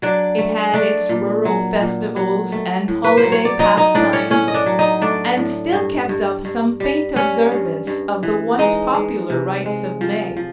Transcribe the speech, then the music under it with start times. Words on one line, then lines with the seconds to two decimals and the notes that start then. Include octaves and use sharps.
It had its rural festivals and holiday pastimes, and still kept up some faint observance of the once popular rites of May.
0.02 F#3 D4 D5
0.38 A3
0.73 A3 D4 D5
1.09 A#2
1.45 F#3
1.80 A#2
2.16 F#3
2.52 A3
2.88 A2
3.04 B4
3.17 C5
3.24 F#3
3.32 C#5
3.45 D5
3.59 F#3 D#4 D#5
3.77 D#4 D#5
3.95 A2 D4 D5
4.13 C#4 C#5
4.30 A2 C#4 C#5
4.48 D#5
4.54 D4 D5
4.66 F#3
4.79 D#4 D#5
5.02 A3 D4 D5
5.37 A2
5.73 G2
6.09 G2
6.45 G2
6.80 G3
7.16 G3 C#4 C#5
7.52 G2
7.87 G2
8.23 E3
8.59 G#3 D#4 D#5
8.94 G#3
9.30 C3
9.66 G#3
10.01 F3
10.37 F3